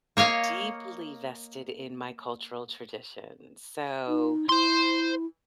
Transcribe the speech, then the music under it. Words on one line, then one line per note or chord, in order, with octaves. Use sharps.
deeply vested in my cultural traditions. S o,
A#3 C#5 D#5 F5
D#4
E4 C5 C6